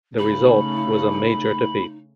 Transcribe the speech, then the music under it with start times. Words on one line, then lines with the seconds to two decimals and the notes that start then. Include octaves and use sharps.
The result was a major defeat.
0.19 C#3 A3 D#4 B5